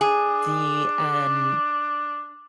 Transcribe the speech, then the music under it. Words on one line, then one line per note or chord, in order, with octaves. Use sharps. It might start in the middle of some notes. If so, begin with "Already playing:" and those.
the, um,
D4 G#4